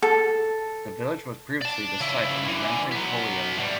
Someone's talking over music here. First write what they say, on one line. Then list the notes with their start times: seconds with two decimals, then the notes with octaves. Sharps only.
The village was previously the site of the Lambton Colliery.
0.02 A4
1.61 D5 A5
2.00 C#3 E4
2.48 D3 E3
2.92 F#3 B3
3.57 A2 G3